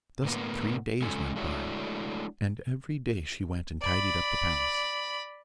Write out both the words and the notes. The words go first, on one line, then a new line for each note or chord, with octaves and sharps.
Thus three days went by, and every day she went and tidied up the palace.
A2 D3 A#3 B3
C#3 G#3 C#4 F4 A4 G#5
G#3 A3 D4 E4 F#4 C#5
D5 B5